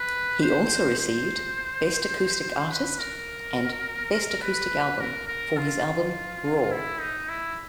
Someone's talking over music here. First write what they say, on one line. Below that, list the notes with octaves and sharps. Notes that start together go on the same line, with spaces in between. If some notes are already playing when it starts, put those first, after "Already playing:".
He also received "best acoustic artist" and "best acoustic album" for his album "Raw".
Already playing: B4
C5
C5
B4
A#4
B4
A#4
A#4
F4
E4
D#4
E4